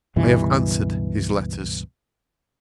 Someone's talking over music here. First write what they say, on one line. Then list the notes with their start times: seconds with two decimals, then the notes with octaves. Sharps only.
I have answered his letters.
0.16 C#2 G2 B2 E3